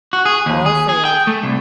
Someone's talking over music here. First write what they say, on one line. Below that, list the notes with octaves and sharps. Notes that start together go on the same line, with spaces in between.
All failed.
F#4
G#4
D#2
G#4
G#4
G5
A3
C2